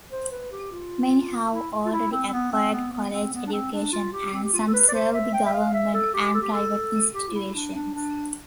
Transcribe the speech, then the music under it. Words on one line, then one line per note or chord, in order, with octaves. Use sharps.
Many have already acquired college education and some serve the government and private institutions.
C5
B4
G4
F4
E4
F4
E4
C4
C4
B3
C4
B3
B3
C4
B3
D4
C4
D4
F4
G4
C4
G4
F4
A4
B4
D5
C5
E5
G5
E5
F5
E5
A4
G4
A4
G4
A4
G4
F4
E4
D4
D4
D4